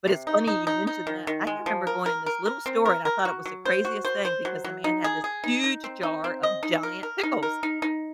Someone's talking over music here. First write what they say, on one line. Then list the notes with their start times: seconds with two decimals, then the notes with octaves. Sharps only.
But it's funny you mentioned that. I can remember going in this little store and I thought it was the craziest thing because the man had this huge jar of giant pickles
0.07 C3
0.27 D#4
0.47 D#4
0.67 D#4
0.87 D#4
1.07 D#3
1.27 D#3
1.47 G#3
1.66 F3
1.87 A#4
2.06 A#4
2.26 A#4
2.46 A#4
2.66 C4
2.86 A#4
3.05 A#4
3.25 F#4
3.46 F#3
3.65 C5
3.85 F#4
4.05 C5
4.25 C5
4.45 F#3
4.64 F#3
4.84 D#4
5.04 G#4
5.24 G#4
5.44 D#4
5.64 D#4
5.84 C4
6.03 D#4
6.24 C4
6.43 D#5
6.63 D#4
6.83 A#4
7.03 A#4
7.23 D#4
7.43 A#4
7.63 D#4
7.82 D#4